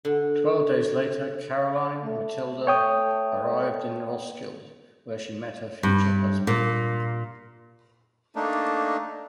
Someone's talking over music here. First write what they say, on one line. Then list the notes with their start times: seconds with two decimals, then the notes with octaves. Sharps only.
Twelve days later, Caroline Matilda arrived in Roskilde, where she met her future husband.
0.05 D3
2.03 A3
2.67 C#5 G5 D#6
5.83 G2
6.47 A#2
8.36 A3 A#3 D4 D#4